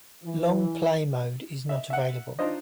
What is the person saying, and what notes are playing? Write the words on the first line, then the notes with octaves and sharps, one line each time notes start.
Long Play mode is not available.
E3
D#5 E5
E5 F#5
D4 D#4 F4 C5 D#5